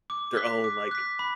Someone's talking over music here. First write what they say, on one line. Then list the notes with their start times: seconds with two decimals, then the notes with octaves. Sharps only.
their own, like,
0.10 D6
0.36 F#6 B6
0.64 D6
0.91 F#6 B6
1.19 B5